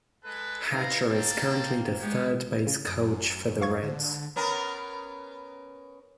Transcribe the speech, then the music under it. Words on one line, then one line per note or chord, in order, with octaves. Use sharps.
Hatcher is currently the third base coach for the Reds.
G#3 A4 B4
D#4 B4 F5 A#5
A#3 C4 G5 A5
G#3 B3 G4 C#5
C#3
F#2 D#6 D7
F5 C#6 G#6
D3
B3 C#4 A#4